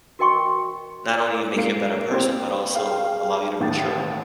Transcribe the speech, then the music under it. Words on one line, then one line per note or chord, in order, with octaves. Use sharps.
not only make you a better person, but also allow you to mature.
F#4 A#4 D#5 G5 C6 C#6
G#2 A#3 C7 D7
C4 G4 C5
G#4 F5 G5
A1 D#2 G5 A6